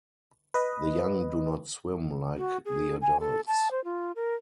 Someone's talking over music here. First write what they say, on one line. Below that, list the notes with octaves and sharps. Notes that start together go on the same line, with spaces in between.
The young do not swim like the adults.
B4 D#5
F#4
G#4
G#5
A4
A5
C5
F4
A#4